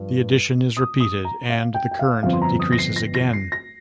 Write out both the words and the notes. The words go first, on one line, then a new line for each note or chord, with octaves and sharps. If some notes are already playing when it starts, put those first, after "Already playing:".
The addition is repeated, and the current decreases again.
Already playing: G2 F3
D#6
D#6
A#5
F5
G5
G5
F5
G1 F2 F3 C4 F5
C6
A#5
D#6
A#6
C7
A#6
A#6
C7
A#6